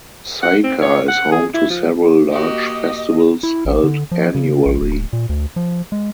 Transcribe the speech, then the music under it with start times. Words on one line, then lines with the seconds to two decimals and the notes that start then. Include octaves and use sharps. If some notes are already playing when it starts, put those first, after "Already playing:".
Seika is home to several large festivals held annually.
0.42 F#5
0.64 C4
0.82 C#5
1.08 F#5
1.32 G#4
1.54 E4
1.70 F3
2.31 A#3 F#4 G4 D#5
3.43 E4
3.65 A1
3.84 D3
4.11 F3
4.35 C#3
4.66 A#1
4.81 D1
5.13 A#2
5.29 D2
5.56 F3
5.92 G#3